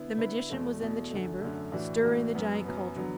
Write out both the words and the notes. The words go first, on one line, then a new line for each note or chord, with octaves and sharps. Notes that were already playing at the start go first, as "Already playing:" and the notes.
The magician was in the chamber, stirring the giant cauldron.
Already playing: D3 B3 E4
D3 B3 E4
E2 B2 A3
E2 B2 A3
F#2 D3 A3
F#2 D3 A3
A2 E3 D4 F#4
A2 E3 D4 F#4
F#2 F#3 B3
F#2 F#3 B3
D3 F#3 B3